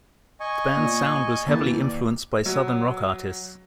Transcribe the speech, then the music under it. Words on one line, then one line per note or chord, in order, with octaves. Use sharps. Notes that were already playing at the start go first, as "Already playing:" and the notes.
The band's sound was heavily influenced by Southern rock artists.
D#5 G#5 C#6
A#2
D#2 E3 A5
D5
F#3